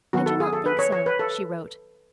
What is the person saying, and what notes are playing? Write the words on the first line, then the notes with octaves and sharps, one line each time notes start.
"I do not think so," she wrote.
D#3 F#3 B3 F#4
A4
G#4
A4
B4
C#5
C#5
B4
A4